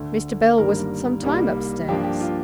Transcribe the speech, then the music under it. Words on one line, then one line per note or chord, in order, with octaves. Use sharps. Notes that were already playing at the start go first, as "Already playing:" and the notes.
Mr. Bell was some time up-stairs.
Already playing: D2 D3 A3
G1 G2 D#3 G3 A#3 A#4
C2 C3 G3 A#3 D#4
G2 F3 A#3 D4 G4
G4
F4